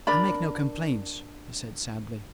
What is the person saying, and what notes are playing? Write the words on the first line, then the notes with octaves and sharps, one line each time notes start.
"I make no complaint," he said sadly.
D4 A#4 D5 B5